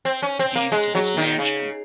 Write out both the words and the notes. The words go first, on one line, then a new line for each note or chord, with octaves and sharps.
deed to this mansion."
C4
C#4
C4
A#3
G#3
F#3
D#3
C#3